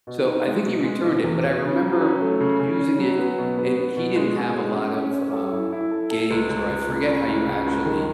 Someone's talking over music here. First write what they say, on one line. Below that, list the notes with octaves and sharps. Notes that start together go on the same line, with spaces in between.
So I think he returned it, but I remember using it, and he didn't have a lot of, um, games or I forget how you actually
B2
D#4
G#3
B2
G#3
B2
E2
B2
C#3
F#3
C#4
A3
C#3
C#3
C#4
F#3
B3
B2
B3
B3
B2
G#3
B2
G#3
C#4
C#4
C#4
A4
E4
E4
A4
A4
C#2
C#2
C#2
C#3
C#3
C#2
C#3
C#2
D#3